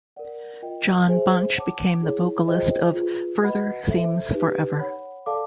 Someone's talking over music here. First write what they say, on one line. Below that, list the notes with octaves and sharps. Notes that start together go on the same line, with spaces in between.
Jon Bunch became the vocalist of Further Seems Forever.
A#4 D5 F#5
F4 A#4 D#5 G5
G#4 C5 E5 G#5
C#5 F#5 A5 D6
E4 G#4 C#5
F4 G#4 C5 D#5 G5
F4 G#4 B4
F#4 B4 D#5 F#5 B5
A4 C5 E5
D#4 G4 B4
C#5 F#5 B5
A4 D5 F5 A5 D6